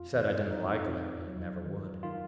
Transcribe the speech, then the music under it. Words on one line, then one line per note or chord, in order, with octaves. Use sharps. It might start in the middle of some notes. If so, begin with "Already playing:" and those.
I said I did n't like Larry, and never would.
Already playing: F2 F4
D#3
F2 D#4
C3
F#3
D#3
D#3 F4